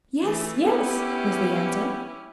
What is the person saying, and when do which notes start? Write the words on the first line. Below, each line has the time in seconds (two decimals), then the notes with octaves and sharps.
"Yes, yes," was the answer.
0.23 E3 A3
0.66 B3 C#4 E4 G4